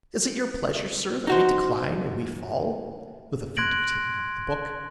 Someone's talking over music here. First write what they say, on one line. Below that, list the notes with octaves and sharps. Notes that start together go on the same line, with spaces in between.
Is it your pleasure, sir, that we decline and we fall?' with a feint of taking up the book.
D#4 F#4 C5
C6 F#6 G#6 A#6 D7 F#7